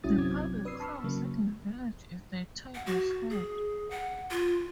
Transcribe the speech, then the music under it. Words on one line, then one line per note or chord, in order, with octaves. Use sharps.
The public house in the village is the Tiger's Head.
A#1 C#4 E4 F#4 D#6 A6
F#2 C3 F#3 C4 D6 G#6
D4 B4 D#6 E6 C7
A5 B5 C#6 E6 F6
C#3 F#3 A#3
F#5
F#4
G#4
F#5
F4